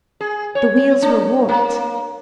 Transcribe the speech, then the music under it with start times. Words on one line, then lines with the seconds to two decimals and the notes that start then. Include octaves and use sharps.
The wheels were warped.
0.20 G#4
0.55 C#5
1.02 D4
1.49 A#3